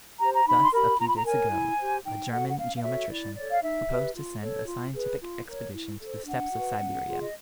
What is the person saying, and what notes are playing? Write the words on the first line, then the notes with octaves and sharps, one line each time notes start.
Thus, a few days ago, a German geometrician proposed to send a scientific expedition to the steppes of Siberia.
G4 C5 A#5
A#5
D#4 B5
C6
G4 A#4 B5
F4 A#5
B5
A#5
A#4 C#5 G#5
E4
G4 C5
D#4 G5
F#4 A4 F#5
F#5
C#4 F5
F5
F#4 A4 C#5 E5
E4 D5
A4 C#5 D5
F5
D#4 E5
G4 B4
F4
A4 C#5
F4
G#4 B4
F4
A#4 C#5
E4
A4 C5
D4 F#5
F#4 B4
C#4
F4 G#4
D#5